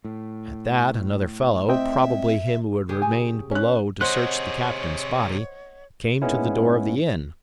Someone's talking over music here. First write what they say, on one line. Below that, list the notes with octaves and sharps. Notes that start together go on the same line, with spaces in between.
At that another fellow, probably him who had remained below to search the captain's body, came to the door of the inn.
A2
C4 D#5 E5 G5
C#3 G4 G#4
G#5
C#4 F#6
C3 G#4 C5 C#5 D#5 F#5 F#6
G#2 G#3 A#3 B3 C#4 E4